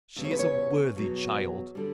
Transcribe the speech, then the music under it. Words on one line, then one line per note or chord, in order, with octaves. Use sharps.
She is a worthy child.
E2 C#3 G3
C#5
B4
C#5
E2 B2 F#3
D3 G3